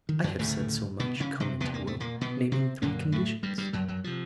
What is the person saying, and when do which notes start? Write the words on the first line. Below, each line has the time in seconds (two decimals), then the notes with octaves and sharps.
"I have said so much," commented Will, "naming three conditions."
0.09 D#3
0.24 F#2 F#3
0.39 D2 A2 C#3 A3
1.00 B2 B3
1.20 C#3 C#4
1.40 C3 C4
1.60 E2 C3 B3
1.74 A#3
1.87 A3
2.00 A#2 A#3
2.21 B2 B3
2.52 C3 C4
2.82 F#2 A#2 D3 A#3
3.12 A2 A3
3.43 G2 G3
3.58 G2 G3
3.73 F#2 F#3
3.88 F#2 F#3
4.04 C3 F3